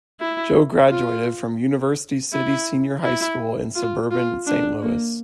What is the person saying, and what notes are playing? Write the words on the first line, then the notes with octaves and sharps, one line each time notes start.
Joe graduated from University City Senior High School in suburban Saint Louis.
E4
F4
E4
E4
F4
F4
D4
A#3